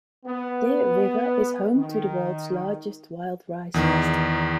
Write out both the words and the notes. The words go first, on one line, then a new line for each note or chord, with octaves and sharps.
Deer River is home to the world's largest Wild Rice Festival.
B3
D#3
E2 D#3